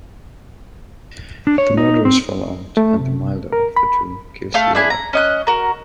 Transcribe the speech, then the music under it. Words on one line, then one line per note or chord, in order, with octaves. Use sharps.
The murderers fall out and the "milder" of the two kills the other.
D4
C#5
D#4
C4
A3
C3
A#4
B5
A3 F5 A5
D4 E4 G#4
A#5
C#4 D#5 F#6
F#4 A#4